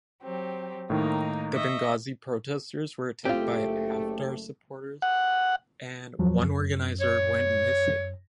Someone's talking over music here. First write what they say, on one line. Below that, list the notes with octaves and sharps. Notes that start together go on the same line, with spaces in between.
The Benghazi protestors were attacked by Haftar supporters and one organiser went missing.
F#3 C4 G4
A2 D#3 A#3 D#4
D#5 E5 C#6
F#1 A3 C4 F4 G4
F#5
E2 F3 F#3
F#2
C#5